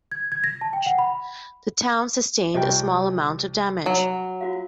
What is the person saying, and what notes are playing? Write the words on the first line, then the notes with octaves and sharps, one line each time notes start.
The town sustained a small amount of damage.
G#6
G#6
A#6
A5
G5
F#5
B5
C2 F4 G4 D#5 G5
F#3
F4 F#4 F5